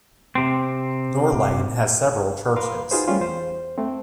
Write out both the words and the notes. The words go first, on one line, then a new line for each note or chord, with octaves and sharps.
Norlane has several churches.
C3 C4
A#4 B4 F5 B5 C6
D#4 F4 F#4 G#4 B4 C5
G3 A3 C#4 F4 G4
E2 C5
A3 C4